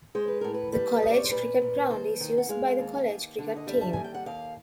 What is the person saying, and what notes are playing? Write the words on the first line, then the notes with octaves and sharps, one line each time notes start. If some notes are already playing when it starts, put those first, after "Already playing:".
The college cricket ground is used by the college cricket team.
G#3 C5
B4
A2 A#4
B4
G3 B4
G3 D#5
D5
C#5
C5
A#2 B4
A#2
D#2 C5
D#3
F#5
G#3 F5
D#2
D#2
D3
D#5
G3 E5
A5
D#2 G#5
G5
F#5
D#2 F5